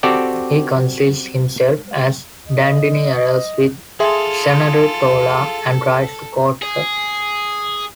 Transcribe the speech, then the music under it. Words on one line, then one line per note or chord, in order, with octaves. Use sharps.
He conceals himself as Dandini arrives with Cenerentola and tries to court her.
C4 F#4 G4 A4 D5
D#5
E4 F4 G#4 A4 E5 G5 C6
G#4